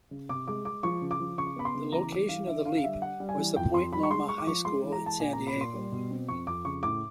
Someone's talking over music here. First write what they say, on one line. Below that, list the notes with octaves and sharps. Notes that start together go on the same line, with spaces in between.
The location of the "leap" was the Point Loma High School in San Diego.
C#3
C3 D6
G#3 D6
G#3 D6
F3 C#6
C#3
D6
F3
C#3 C#6
B3 B5
C6
C#3
E3 A#5
G3
E3 F5
D3 E5
D3 F5
F5
G3 E5
G3 F#5
G3
G#5
E3
F2 G5
F2 C6
G3 B5
C#6
G#3 C6
G#3 C#6
D6
F3 C#6
G#3 C6
E3
A#5
G#3 A5
A#2 G#5
A#5
A#2
B5
A#2
C6
G3
B2
C4
F2 C#6
F2 D6
C#3 C#6
A2 D6